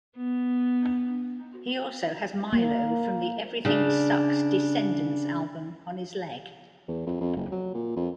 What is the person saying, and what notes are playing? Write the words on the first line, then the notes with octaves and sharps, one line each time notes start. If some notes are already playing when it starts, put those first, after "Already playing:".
He also has Milo from the "Everything Sucks" Descendants album on his leg.
B3
A#3
C#3 D4
E2
F2
F2
F#1
F#3
A#2
F2